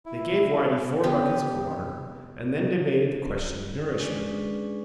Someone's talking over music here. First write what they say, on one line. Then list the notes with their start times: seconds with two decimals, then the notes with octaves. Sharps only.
They gave Whitey four buckets of water, and then debated the question of nourishment.
0.06 E4
1.03 B3 G4
4.00 G#3 C#4 D4 G#4 B4 D5